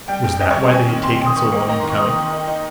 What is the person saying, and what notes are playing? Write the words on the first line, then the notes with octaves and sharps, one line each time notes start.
Was that why they had taken so long in coming?
G3 G5
F2
G3 D#5
C#5
C4
G5
C4 G#5
D#3
C4 C6
F2
D#6
D#3 C#6
A#3
D#4 A#5
D#3 C6
C#6
D#4 D#6
D#3
D#4
D#4